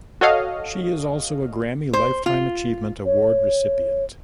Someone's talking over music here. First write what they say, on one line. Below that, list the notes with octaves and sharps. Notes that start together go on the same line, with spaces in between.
She is also a Grammy Lifetime Achievement Award recipient.
F#4 A4 C#5 D#5 F5
C5
F4
C#5